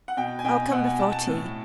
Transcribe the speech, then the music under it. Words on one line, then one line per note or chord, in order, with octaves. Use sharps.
I'll come before tea.
F#5
B2 G5
G#5
B2 G5
B2 F#5
G#5
B2 A5
A5
A2